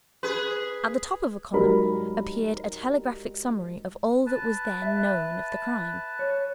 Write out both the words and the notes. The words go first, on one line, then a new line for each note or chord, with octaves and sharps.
At the top of a column appeared a telegraphic summary of all that was then known of the crime.
G#4 B4
G#2 F#3 G3 A#4 B5
B4 A5
E5
C#5